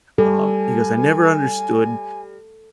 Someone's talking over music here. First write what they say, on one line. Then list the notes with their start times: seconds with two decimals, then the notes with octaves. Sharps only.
um, he goes, "I never understood
0.18 G3 A4 G#5